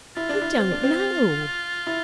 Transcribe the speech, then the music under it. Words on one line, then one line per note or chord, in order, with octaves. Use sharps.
"I don't know."
E4 F4
D4
E4
C4
D4
C4
E4